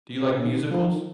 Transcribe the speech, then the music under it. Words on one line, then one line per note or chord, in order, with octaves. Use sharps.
Do you like musicals?
C#3
D#3
F3
D#3